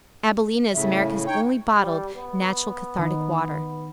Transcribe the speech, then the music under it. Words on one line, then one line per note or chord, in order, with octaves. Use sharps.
AbilenA is America's Only Bottled Natural Cathartic Water.
A2 C#3 E5
D#4 C#5 G5
G3
B3
D#3 D#4